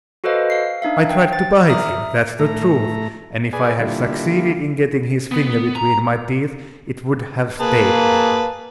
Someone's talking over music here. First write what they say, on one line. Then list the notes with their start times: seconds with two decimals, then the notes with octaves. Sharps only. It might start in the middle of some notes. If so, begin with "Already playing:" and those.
I tried to bite him: that's the truth, and if I had succeeded in getting his finger between my teeth, it would have stayed there.
0.24 F#4 A4 B4 C5 D#5 F5
0.50 F5 C7
0.82 D4 D#4 E5 F5
1.10 G5
1.33 A6
1.70 E5 A#5 D#6 F6
2.39 A2 A3 A#5
3.53 G#4 B4 D5 G#5
3.79 D3 G3 A#3 E4 F4
5.31 B3
5.75 A#5
7.60 A#3 G#4 B4 A5